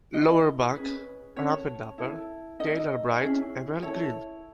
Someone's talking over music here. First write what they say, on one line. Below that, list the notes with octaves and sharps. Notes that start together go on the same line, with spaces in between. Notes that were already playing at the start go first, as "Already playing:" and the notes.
Lower back, rump and upper tail are bright emerald green.
E4 A4 D#5
C#4 G#4 B4
C#4 F#4 A4 C#5
E4 A4
D#4 A4 D#5
C#4 E4 G#4
E4 A4 C#5